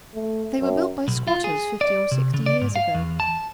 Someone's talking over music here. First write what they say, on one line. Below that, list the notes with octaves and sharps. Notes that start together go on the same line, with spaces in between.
'They were built by squatters fifty or sixty years ago.
A3
F#2
B1
F4
G#4
D5
C3
C#3
D5
G#2
F5
E2
A5